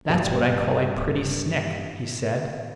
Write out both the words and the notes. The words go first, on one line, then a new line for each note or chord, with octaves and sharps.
"That's what I call a pretty snick," he said.
G2 A#2